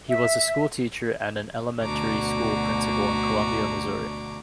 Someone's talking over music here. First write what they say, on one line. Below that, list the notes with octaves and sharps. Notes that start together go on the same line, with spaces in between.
He was a school teacher and an elementary school principal in Columbia, Missouri.
E5
D2 B2 D3 F#4 A#5 D6